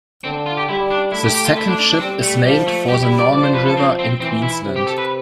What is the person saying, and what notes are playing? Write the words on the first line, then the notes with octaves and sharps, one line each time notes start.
The second ship is named for the Norman River in Queensland.
D3 C4
F4
G4
G3 E4
D4
A3 E4
G4
G4
F4
E4
D4
D4
D4
G3 C4
A3
F3 G3
A3
G3 G4
E4
D5
F3 D5
C5
B4
A4
C4
C4
E3 C4
E4
C3
G4
A4
B4